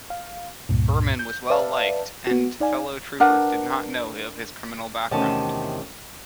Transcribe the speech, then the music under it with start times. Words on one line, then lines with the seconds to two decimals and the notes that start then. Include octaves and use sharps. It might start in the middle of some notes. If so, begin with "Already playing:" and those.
Berman was well liked, and fellow troopers did not know of his criminal background.
0.10 F5
0.69 C#2 G2 A#2
1.19 G6
1.50 B4 D5 E5 F5 A5
2.27 B3 F#4
2.60 D#4 D5 F5 G#5
3.20 D4 A#4 B4 F#5
5.11 E2 C3 D#3 A3 C#4 A5